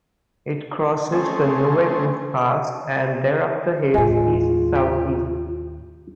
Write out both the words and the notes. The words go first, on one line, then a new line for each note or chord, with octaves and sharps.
It crosses the Nuwekloof Pass and thereafter heads east-south-east.
A3 C4 C#4 G#4
D#2 A2 G#3 F4
G4